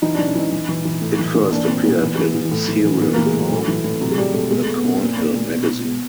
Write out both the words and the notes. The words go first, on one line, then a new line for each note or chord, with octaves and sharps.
It first appeared in serial form in "The Cornhill Magazine".
E3 D#4
D4
E3
C#4
E3 D#4 E4
E3
E3
E3
A2
E3
E3
A#2 D4
A#2 C4
A#2 B3
E3
E3
E3
A2
E3
E3
E3 B3
A#3
E3
G#3
A2 F#3
A2
E3
A2
C3 F#3
G#3
C3 G3
C3 A3
B2 G#3
A3
B2
B3
B2 C4
A#2
A#2
A#2
B2
B2
B2